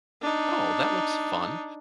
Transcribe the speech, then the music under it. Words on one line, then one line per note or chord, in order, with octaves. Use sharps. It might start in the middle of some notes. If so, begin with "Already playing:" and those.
"Oh, that looks fun."
D4 D#4